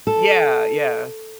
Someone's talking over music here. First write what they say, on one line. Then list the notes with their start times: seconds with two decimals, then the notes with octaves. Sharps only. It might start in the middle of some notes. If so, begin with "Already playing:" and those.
Yeah, yeah.
0.07 A4